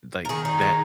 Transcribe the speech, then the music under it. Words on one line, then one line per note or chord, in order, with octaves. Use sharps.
Like, that
A#4
D#3 G#4
D#4 G#4
D#3